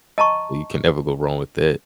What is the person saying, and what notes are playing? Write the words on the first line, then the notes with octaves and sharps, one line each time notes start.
Well, you can never go wrong with that.
D#5 A5 A#5 C#6